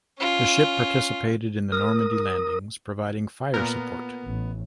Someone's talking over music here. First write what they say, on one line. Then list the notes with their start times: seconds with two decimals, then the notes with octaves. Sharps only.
The ship participated in the Normandy landings providing fire support.
0.19 C#4 F4
1.72 A#4 D#6
3.54 A#2 B3 A#4
4.24 A1